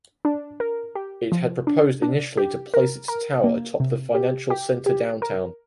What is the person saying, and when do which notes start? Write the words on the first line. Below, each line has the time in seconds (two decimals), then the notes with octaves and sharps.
It had proposed initially to place its tower atop the Financial Center downtown.
0.25 D4
0.60 A#4
0.95 G4
1.32 F3
1.67 D4
2.02 D4
2.37 G4
2.74 A#4
3.08 A#4
3.44 A#3
3.80 C3
4.15 G4
4.50 G4
4.86 G4
5.22 A#4